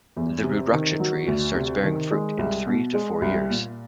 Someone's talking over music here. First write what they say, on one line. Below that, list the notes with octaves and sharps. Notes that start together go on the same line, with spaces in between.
The rudraksha tree starts bearing fruit in three to four years.
E2
C3
D#3
F#3
D2
C3
D#3
G#3
C2
B2
G#3
C2
A#2